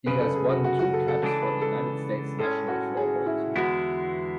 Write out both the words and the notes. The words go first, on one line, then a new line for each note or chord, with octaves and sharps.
He has won two caps for the United States national floorball team.
F#2 C#3 B4
A4
G#4
F#4
F#4
F#4
A4
A4
C#3 E3 G#3 D4 A4
B4
A4
A2 G#3 C#4 A4
F#4
G#4
E4
E2 D3 G#3 B3 E4 F#4